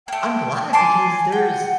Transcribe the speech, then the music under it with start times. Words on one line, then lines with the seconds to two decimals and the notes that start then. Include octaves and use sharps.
I'm glad because there's
0.08 A3 A#3 G5
0.73 G#5 A5 C6 D6
1.32 F#5 G5